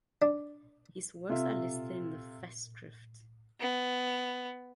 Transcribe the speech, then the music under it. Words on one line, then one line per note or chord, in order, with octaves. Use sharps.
His works are listed in the festschrift.
D4
C3 F4 A4 E5
B3